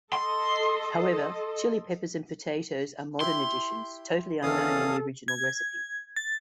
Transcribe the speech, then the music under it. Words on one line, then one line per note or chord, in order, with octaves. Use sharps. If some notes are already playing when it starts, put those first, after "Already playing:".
However, chili peppers and potatoes are modern additions, totally unknown in the original recipe.
A4 D#5 C6
E4 G4 C6
E2 D#3 C#4 A4 F5 D#6
G#6
A6